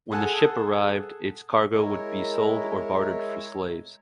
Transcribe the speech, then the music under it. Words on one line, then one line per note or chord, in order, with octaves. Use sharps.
When the ship arrived, its cargo would be sold or bartered for slaves.
G#4 A4 F#5 G#5 A5
G#3 E4 A#4 C#5